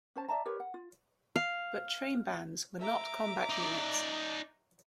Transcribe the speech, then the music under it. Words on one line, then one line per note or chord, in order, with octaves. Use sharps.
But trainbands were not combat units.
C#4 C5 A5
D5 E5 A5 A#5
G4 A#4 B4 C#5
F#5
F4
F5
E5 A#5 D6
D#4 D5